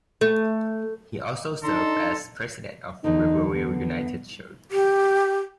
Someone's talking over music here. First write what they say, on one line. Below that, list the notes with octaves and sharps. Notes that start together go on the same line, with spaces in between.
He also served as president of Riverview United Church.
A3
D4 D#4 A4 A#5 C6
E2 D3 D#4
B3
G4